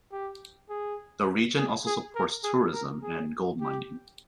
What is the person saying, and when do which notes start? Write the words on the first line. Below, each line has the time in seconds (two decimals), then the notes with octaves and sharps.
The region also supports tourism and gold mining.
0.12 G4
0.70 G#4
1.58 G#4
1.86 G#4
2.15 A#4
2.44 G#4
2.74 A#4
3.03 G#4
3.61 G4